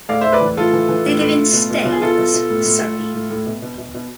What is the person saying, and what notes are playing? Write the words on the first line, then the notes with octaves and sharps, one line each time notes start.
They live in Staines, Surrey.
A2 D5 F5
A2 C5 E5
B4 D5
E3
A2 F4 A4
E3
E3
A2
A2
A2
B2
B2
B2 F4
G#4
B2 F4 A4
B2
B2
A2
A2
A2
A2
A2
A2
B2
B2
B2
B2